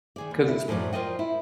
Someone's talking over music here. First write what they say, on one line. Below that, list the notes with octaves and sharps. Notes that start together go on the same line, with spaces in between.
'cause it's
D#3 G#4 D5
D#2
E4
F#2 A2 F3 F#3 D5
F4 A#4 C5 D5 D#5 G5
E4